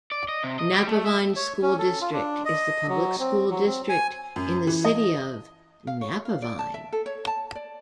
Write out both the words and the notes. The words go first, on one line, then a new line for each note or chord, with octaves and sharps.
Napavine School district is the public school district in the city of Napavine.
D5
D#5
C3
D#5
G3
A3
E5
C#5
C#4
A4
F4
D4
D#5
F#3
C4
F#3
C4
G#5
F#2
E3
D#5
F5
C#5
F5
D5
A5
E5
A4
C#5
A5
D5